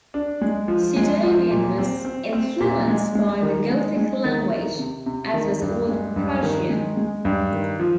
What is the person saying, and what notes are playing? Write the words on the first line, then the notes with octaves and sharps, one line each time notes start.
Sudovian was influenced by the Gothic language, as was Old Prussian.
D4
G#3
F3
G#3
F3
A#2
C4
C4
C4
A#2
G#3
G#3
D#3
G#3
G#3
D#3
D#3
C3
C3
D#3
G2
G#3
G2
D#3
G#3
G#3
G2
D#3
F3